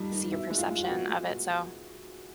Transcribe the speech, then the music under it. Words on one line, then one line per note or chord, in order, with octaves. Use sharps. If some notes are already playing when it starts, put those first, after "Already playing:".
see your perception of it, so I
Already playing: F2 G3 D#4
D#3
B2 E4
G#3
F4
G#3
F4
F#4
B2
G#3
B2
B2